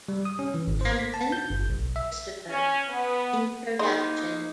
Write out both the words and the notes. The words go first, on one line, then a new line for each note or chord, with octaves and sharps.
Hampton, Christopher: Introduction.
G3
D#6
C#4
E3
G#1
C5
B6
A5
G6
G1
B1
E5
C#4
B3
A#3 D#4 G#4 C5 D#5 B5 C6